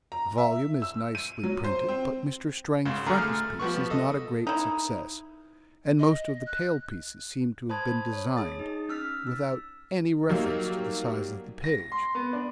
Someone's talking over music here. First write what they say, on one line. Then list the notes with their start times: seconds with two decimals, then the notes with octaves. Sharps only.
The volume is nicely printed, but Mr. Strang's frontispiece is not a great success, and most of the tail-pieces seem to have been designed without any reference to the size of the page.
0.12 A#5
0.38 E5
0.82 E6
1.15 D#7
1.44 F#3
1.64 C5
1.89 C4
2.86 G#1 C#3
3.06 D3 G#4 A#5 F6
3.18 A3 F6
3.59 F3 G3 B3 C#6
3.90 A4 D#5
4.47 D#4 E4
5.99 D#5
6.46 F#6
7.69 C5 A5 B5 D#6 G#6
8.13 C#5
8.37 G#4 D#6 A6
8.59 D#4
8.89 C#4 E6 F6 A6 B6
9.27 E6
10.29 F#3 G3 A#3 D#4
11.64 A#6
11.92 C6
12.15 B3
12.33 D4